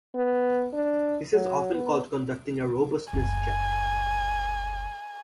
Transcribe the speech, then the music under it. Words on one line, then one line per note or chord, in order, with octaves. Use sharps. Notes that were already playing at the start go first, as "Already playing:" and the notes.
This is often called conducting a robustness check.
B3
D4
F#3
B3
F#1 D2 G#5